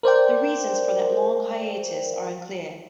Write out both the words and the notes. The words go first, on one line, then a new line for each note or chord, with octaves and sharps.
The reasons for that long hiatus are unclear.
A#4 C5 D5 G5